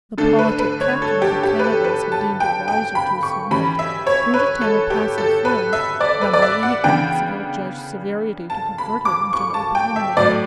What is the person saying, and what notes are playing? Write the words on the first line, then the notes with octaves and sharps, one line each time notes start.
The politic captain of the Canadas had deemed it wiser to submit to entertain a passive friend, than by any acts of ill-judged severity to convert him into an open enemy.
D3 A3 D4 A4
B4
B4
C#5
A4
G4
G4
B4
A4
B4
A5
G5
G5
B5
C#6
E3 G3 C#4 B5
E5
C#5
B4
A4
G4
A4
B4
E5
D5
B4
D5
E5
F#5
C#3 E3 B3 D4 G5
A5
B5
D6
C#6
A5
G5
E5
A2 F#3 A3 D5